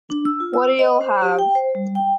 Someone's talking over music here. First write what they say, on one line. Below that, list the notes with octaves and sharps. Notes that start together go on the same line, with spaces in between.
What'll you have?
D4
E6
F4
E6
D#5
C5
G4
G5
C5
G3
G5